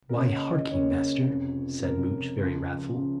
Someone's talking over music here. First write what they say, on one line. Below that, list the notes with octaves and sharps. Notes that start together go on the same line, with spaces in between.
"Why, harkee, master," said Much, very wrathful.
A#4
C#2 C#3 A#3 C#4 C#5
D#5
D#5
C#2 C#3 A#3 C#4 C#5
F1 F2 C#3
F1 F2 C#3 A#4
C#2 C#3 F3
C#3 F3